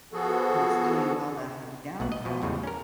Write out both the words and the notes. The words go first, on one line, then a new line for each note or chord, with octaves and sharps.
who's doing well to have a downfall."
F3 B3 F#4 G#4 A4
B1 B2 F#5
D#5
B2 F3
E2 A2 C#3 G3 G#3
C#4 A#4